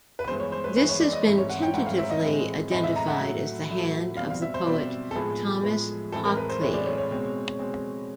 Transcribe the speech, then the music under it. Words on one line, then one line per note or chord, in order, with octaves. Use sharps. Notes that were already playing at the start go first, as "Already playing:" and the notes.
This has been tentatively identified as the hand of the poet Thomas Hoccleve.
B4
G2 E3 G#3 B3 C5
C#5
C5
B4
G2 E3 G#3 B3 B4
C#5
D5
D#5
G#2 E3 A3 C4
C#5
F#5
G5
G#2 E3 A3 C4 F#5
F5
E5
D#5
A2 E3 G#3 C4
A2 E3 G#3 C4 D#5
E5
A#5
F#5
A2 F#3 A3
A2 F#3 A3
B2 G3 C4 F5
F5
E5
C5
B2 G3 C4 D5
A4
A2 F3 G#3 B3 G#4
A2 F3 G#3 B3
A2 E3 G#3 C4 A4
A#4
B4
C5
A2 E3 G#3 C4 C#5
D5
C#5
C#5
B2 G#3 C4
B2 G#3 C4